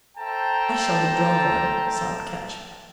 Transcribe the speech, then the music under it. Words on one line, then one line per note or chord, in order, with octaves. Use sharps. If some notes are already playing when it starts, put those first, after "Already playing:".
"I shall be drove one," sobbed Ketch.
A4 C5 E5 G5 A5 A#5